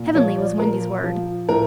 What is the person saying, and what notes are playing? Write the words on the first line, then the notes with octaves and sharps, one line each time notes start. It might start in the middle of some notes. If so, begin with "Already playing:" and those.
Heavenly was Wendy's word.
Already playing: A#2
F3 C#5
D5
A#2 A#4
F3
A2 A#4